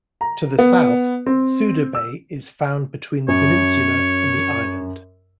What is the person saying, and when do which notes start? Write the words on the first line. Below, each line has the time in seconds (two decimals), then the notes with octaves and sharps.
To the south, Souda Bay is found between the peninsula and the island.
0.21 A#5
0.59 B3
1.26 C4
1.95 E6
3.28 F#2 C#5